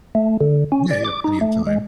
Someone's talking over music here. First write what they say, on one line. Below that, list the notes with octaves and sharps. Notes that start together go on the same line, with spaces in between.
Yeah you have plenty of time.
A3
D3
C#4
D5
D6
D#4
A3
G#3